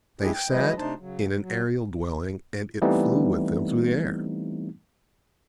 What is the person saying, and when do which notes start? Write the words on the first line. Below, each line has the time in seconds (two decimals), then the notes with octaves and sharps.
They sat in an aerial dwelling, and it flew with them through the air.
0.21 G3 G#3 D4 E4 G4 G#4
0.33 G5
0.50 E3 F#3 G#3 B4 D#5
0.77 C3 A3 D4 D#4 C5 A5
0.99 C#3 F#3
1.40 F#3
2.82 E3 G3 A3 B3 C4 D#4